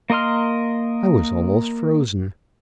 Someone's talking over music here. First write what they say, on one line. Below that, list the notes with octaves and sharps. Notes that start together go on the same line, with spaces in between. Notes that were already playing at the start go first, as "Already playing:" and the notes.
I was almost frozen.
A#3 A#4 D#5 C6 F6